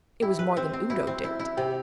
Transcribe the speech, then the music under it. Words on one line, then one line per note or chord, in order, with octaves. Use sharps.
It was more than Udo did.
E4 G4
B4
C4
C4
E4 F#4
C4
E4
E4
C3 G4